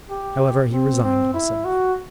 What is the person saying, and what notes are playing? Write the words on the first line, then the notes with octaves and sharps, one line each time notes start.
However, he resigned himself.
G4
C4
C4
E4
F#4